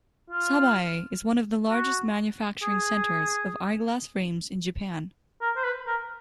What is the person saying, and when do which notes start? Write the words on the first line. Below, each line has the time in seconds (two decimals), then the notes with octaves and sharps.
Sabae is one of the largest manufacturing centers of eyeglass frames in Japan.
0.30 F4
1.70 F#4
2.62 G#4
5.41 A#4
5.57 C5
5.64 B4
5.87 A#4